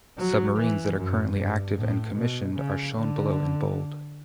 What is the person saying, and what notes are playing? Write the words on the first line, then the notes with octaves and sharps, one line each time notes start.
Submarines that are currently active and commissioned are shown below in bold.
F#3
E3
F#2
G2
A2
B2
C#3
D3